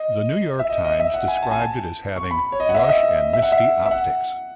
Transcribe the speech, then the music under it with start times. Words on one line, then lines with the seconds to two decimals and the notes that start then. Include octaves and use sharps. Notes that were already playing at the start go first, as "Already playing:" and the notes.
The New York Times described it as having "lush and misty optics".
Already playing: D#5
0.59 E5
0.70 D#5
0.85 D#5
1.00 E5
1.14 F#5
1.28 G#5
1.43 A5
1.51 G#5
1.61 A5
2.16 C#6
2.31 B5
2.52 C#5
2.60 D#5
2.69 F#5
2.74 E5
2.84 D#5
2.89 E5
3.33 E5
3.42 F#5
3.52 E5
3.86 E5
3.91 F#5